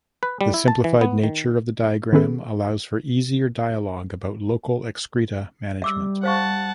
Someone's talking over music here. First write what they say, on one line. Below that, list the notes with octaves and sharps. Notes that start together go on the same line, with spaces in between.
The simplified nature of the diagram allows for easier dialog about local excreta management.
B4
G3
E4
A5
E3
B3
D#3
D#3 B3 C#4 G#4 A4 B4
G3 E5 D6 E6
C5 F5 F#5 A5 C#6